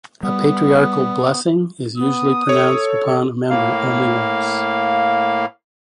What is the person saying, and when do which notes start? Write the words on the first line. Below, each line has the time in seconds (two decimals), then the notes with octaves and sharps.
A patriarchal blessing is usually pronounced upon a member only once.
0.23 G3 B3
1.98 B3 D#6
2.49 A4 C#5
3.50 A2 A#3 F5